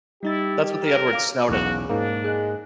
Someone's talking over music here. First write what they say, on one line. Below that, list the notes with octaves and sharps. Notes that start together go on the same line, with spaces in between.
that's what Edward Snowden.
G3 D#4 E4 G4 A6
A#4
F5 D6
B1 E2 C#3 F#4
G#2 A#3 D4
G#3 G#4 F#6